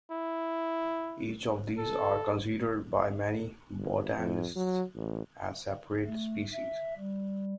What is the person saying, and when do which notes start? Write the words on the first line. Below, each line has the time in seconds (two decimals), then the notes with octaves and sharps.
Each of these are considered by many botanists as separate species.
0.11 E4
1.78 A4
3.78 G1
4.17 F2
4.56 F#3
4.96 A1
6.05 A3
6.53 E5
6.97 G3